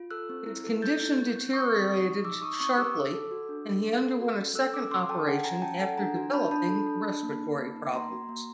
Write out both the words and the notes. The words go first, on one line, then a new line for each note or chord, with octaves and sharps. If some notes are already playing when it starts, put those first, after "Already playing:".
His condition deteriorated sharply, and he underwent a second operation after developing respiratory problems.
Already playing: F4
A4 E6 F#6
C4
E4
A4
A4 G6 A6
E4
C4
C4
C4 C#6 D#6
C4
G4
D#4
D#4 D6 E6
D#4 C#6 D#6
C4 C#6 D#6
G4 D6 E6
A4
A4
F#4
D4
A4
A4
A4
F#4
C#4
A4 E6 F#6
C#4 D6 E6
C#4 C6 D6
A4 G5 A5
C#4 F#5 G#5
C#4 G#5 A#5
C#4 G5 A5
A4 F#5 G#5
D4 G#5 A#5
F#4
D4 A5 B5
D4 A5 B5
A4
D4
D4
A#3
D#4
A#3
D#4
A#3 A#5 C6
F#4
A#3